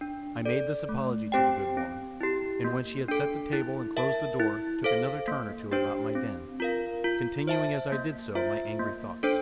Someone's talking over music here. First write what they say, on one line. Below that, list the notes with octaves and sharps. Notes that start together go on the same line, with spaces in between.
I made this apology to the good woman, and when she had set the table and closed the door took another turn or two about my den, continuing as I did so my angry thoughts.
D4
A4 D5
A3
C4 G4 C5 G5
C4
E4 G4
A#3
D4 A4
E4
A#4 E5 A5
E4
A4 C5 F5
A#3
D4 G4 C5
C4
F4 A#4 F5
F4
C5 E5 A5
A#3
F4 C5 E5
A#3
D4 A4 C5